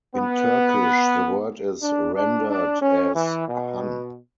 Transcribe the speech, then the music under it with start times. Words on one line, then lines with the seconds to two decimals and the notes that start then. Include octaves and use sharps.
In Turkish the word is rendered as "han".
0.15 B3
1.81 D4
2.15 D4
2.48 D4
2.82 C#4
3.15 E3
3.48 B2